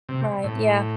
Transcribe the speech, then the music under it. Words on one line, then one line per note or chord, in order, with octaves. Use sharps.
Right, yeah.
C3
A2